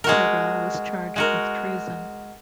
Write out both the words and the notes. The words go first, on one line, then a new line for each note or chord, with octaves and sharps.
Tyrrell was charged with treason.
G#3 F#4 A#4
G#3 F#4 A#4